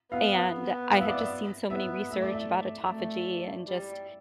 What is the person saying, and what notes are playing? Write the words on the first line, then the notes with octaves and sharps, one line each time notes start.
And, I had just seen so many research about autophagy, and just
B3 F5
B3
F5
E5
D5
E5
B3 E5
A3 E5
D5
E5
A3
G3